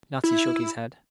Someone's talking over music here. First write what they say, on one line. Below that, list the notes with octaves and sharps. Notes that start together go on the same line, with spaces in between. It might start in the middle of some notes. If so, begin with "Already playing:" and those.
Natty shook his head.
E4